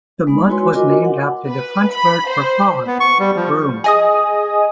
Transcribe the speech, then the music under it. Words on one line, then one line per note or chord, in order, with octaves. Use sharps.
The month was named after the French word for fog, "brume".
G#3 B3 D#4 B5
E4 F#4 B4 C#5 G#5 C6
F4 F#4 A#4 D#5 G#5 D6
F#5
B4
B5
C5
B3
C#6
G3
F3
G#4 D#5 D#6